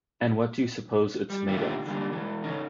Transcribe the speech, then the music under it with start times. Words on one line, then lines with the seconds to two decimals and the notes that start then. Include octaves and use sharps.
And what do you suppose it's made of?
1.30 G3
1.48 D3 D#3 A3 A#3 F4 G4
1.86 D3 G3 A#3
2.10 B2 E3
2.44 C#3 C#4 D#4